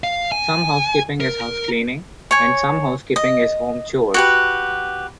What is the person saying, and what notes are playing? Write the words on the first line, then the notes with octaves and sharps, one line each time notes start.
Some housekeeping is housecleaning and some housekeeping is home chores.
F5
G#5
A#4
C#5 G#5
D#5
F#4 G4 B4